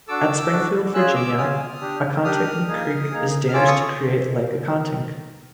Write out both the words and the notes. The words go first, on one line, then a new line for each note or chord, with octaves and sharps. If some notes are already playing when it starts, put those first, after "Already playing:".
At Springfield, Virginia, Accotink Creek is dammed to create Lake Accotink.
D4 F#4 A4 D6 E6
D4 F#4 A4
C#4 F4 G#4 E6 F#6
D6 E6
C#4 F4 G#4 D#6 F6
D4 G4
D4 G4 D#6 F6
A#3 D#4 G#4
A#3 D#4 G#4
F6
C#4 F4 A4 D6 E6
C#6 D#6